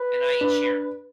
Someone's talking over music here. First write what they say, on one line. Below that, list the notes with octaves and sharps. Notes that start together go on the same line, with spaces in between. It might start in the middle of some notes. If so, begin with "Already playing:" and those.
and I ain't sharing."
Already playing: B4
D4